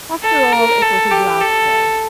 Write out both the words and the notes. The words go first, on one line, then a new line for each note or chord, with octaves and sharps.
After all it was his last day.
A4
A#4
A4
G4
A4